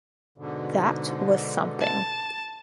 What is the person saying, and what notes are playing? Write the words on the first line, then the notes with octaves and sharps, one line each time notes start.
That was something.
G#2 B2 D3
A5